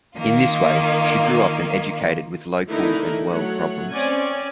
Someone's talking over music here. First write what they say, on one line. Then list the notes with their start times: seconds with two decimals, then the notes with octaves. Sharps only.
In this way, she grew up and educated with local and world problems.
0.17 D#3 A#3 F4
2.67 D3 E3 A3 D#4 E4 A#4
3.30 F#3 A3 C#5 F#5
3.93 C4 C#4 C#5 D5 G#5